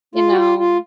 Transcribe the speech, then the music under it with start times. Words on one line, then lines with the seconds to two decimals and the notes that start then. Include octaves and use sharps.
you know
0.15 F4
0.32 F#4
0.37 F4
0.58 F4